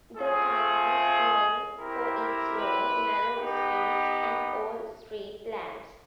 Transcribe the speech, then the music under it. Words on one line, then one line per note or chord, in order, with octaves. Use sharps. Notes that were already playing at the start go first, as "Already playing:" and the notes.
The town is known for its long, narrow streets and old street lamps.
A3 C4 F4 G#4
C4 E4 G4 A#4
A#4
B4
B3 D#4 G4